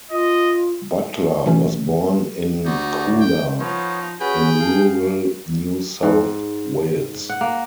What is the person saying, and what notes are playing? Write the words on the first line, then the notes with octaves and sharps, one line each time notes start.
Butler was born in Coolah in rural New South Wales.
F4 D#5
B2 E3 F#3 A3 C#4
D2 D#4 F#4 D5
G5
F3 B3 D#4 F4 C#5
C#4 F#4 G#4 B4 G5
F5
G#2
F#5
A#3